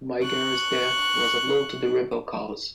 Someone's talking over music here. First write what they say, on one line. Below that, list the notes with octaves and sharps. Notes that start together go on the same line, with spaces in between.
Maguire's death was a blow to the rebel cause.
C#6 F#6